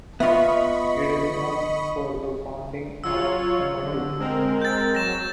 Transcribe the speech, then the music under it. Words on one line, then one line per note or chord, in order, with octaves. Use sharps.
It is known for the founding of Oomoto.
B3 F4 D#5 E5 B5 C#6
F#3 F4 C#5 E6
D3
G#3 C4 A#4
G6 A6
F#3 A#6 E7